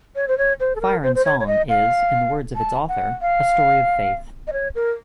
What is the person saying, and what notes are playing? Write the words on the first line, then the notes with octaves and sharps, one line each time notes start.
"Fire and Song" is, in the words of its author, "a story of Faith".
C#5
C5
C#5
C5
A4
A#4
C5
C5
C#5
C#5
D#5
F5
A5
F#5
F5
D#5
C#5
A#4